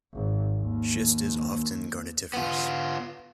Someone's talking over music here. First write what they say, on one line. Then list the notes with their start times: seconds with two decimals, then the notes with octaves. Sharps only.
Schist is often garnetiferous.
0.14 G#1
0.60 D#2
2.33 B3 F4